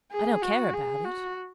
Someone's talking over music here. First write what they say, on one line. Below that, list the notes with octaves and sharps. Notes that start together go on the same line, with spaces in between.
I don't care about it.
G#4
F#4
G#4
F#4